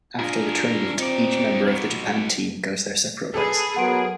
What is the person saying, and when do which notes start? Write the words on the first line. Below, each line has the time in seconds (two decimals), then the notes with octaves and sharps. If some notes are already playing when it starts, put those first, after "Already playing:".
After the tournament, each member of the Japan Team goes their separate ways.
0.19 D4 F4 G#4 A#4
0.98 C4 D#4 D5
1.68 F#3 B3
3.34 G#4 A4 B4
3.76 F#3 B3 A#4 F#5 C6 D7